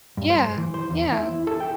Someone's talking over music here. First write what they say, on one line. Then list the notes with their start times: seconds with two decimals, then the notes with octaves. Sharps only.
Yeah, yeah.
0.17 G2
0.30 C5
0.58 E3
0.74 C5
0.90 E2
1.12 E4
1.47 A4
1.60 G5